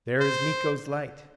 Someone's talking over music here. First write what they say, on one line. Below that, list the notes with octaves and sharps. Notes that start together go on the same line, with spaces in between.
"There is Miko's light!"
C5